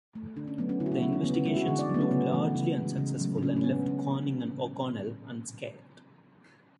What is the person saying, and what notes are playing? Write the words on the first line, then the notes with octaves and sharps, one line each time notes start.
The investigations proved largely unsuccessful and left Corning and O'Connell unscathed.
A3
D3 D4
C#4
F#3 A3 B3
C#4
D3 E4
F#4
E4
F#3 A3 C#4
C#4
C#3 B3
C#4
G#3 E4
F#4
D3 G#4
D5
F#3 A3 B3
C#4
C#3 B3
E3 A3
C#3
G#3
C#3
F#3 A3
D4
C#3 C#4
C#4
G#3 B3
C#3 C#4